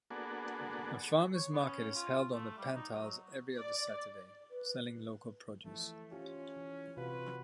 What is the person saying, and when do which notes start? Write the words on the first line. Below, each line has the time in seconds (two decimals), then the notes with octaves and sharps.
A farmer's market is held on the Pantiles every other Saturday, selling local produce.
0.10 A#3 B3 D4 F#4 G#4 A4
1.35 C#5
1.53 B3
1.66 C#4
1.95 F4
2.31 A3
2.57 G3
2.74 D#4
2.93 F#3
3.57 D5
4.50 B4
5.65 E3 F3 A3
6.12 C#4 F4 G4
6.57 E3
6.97 C3 F4 F#4 B4